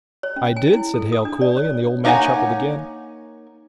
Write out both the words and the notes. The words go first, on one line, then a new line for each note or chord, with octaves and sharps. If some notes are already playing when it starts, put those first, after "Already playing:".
"I did," said Hale coolly, and the old man chuckled again.
C#5
C#4
G#5
E4
A4
D#6
D4
D5
C#5
A#3 D#4 C#5 D5 F#5 G#5